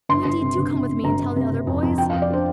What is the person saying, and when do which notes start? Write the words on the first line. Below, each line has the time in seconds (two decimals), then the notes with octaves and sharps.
"Wendy, do come with me and tell the other boys."
0.09 G1 C6
0.25 G1
0.41 C3
0.58 G1
0.73 G1
0.89 C3
1.04 G1 A#5
1.19 G1
1.36 C3
1.52 C3
1.67 F2
1.83 F2
1.98 F3 G5
2.10 F2 F5
2.22 D5
2.30 D4 C5